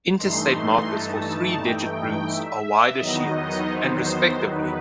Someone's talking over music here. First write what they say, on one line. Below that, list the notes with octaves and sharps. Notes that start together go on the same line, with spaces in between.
Interstate markers for three-digit routes are wider shields, and respectively.
G2 E3 A3 D#4 C6
A5
G5
E5
E2 D#3 F#3 B3 D#4 D#5
C5
B4